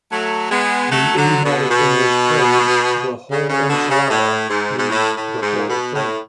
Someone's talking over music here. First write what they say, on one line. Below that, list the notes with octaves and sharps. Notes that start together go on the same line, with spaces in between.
The idiomatic English phrase "the whole enchilada" means "the whole thing".
F#3 A3
G#3 B3
F#3 A3
D3 F#3
B2 D3
B2
C#3
C#3
B2 D3
C#3
A2
G#2
G#2
A2
A2
G#2
B2
A2